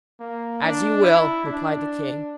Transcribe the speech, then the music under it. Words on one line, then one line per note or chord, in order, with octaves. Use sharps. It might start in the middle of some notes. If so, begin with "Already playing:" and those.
'As you will,' replied the king.
A#3
D4
E4
D4